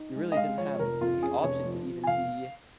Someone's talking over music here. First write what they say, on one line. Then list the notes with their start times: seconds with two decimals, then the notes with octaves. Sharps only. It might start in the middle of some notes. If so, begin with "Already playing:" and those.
you really didn't have the option to even be,
Already playing: D#4
0.16 G#3
0.32 D#5
0.36 G#3 F5
0.58 F3 C#5
0.79 F1 A#4
1.01 F2 F4
1.22 C#4 G#4
1.43 F1 C#5
1.65 F3
1.86 F3
2.03 G#5
2.07 F1 F5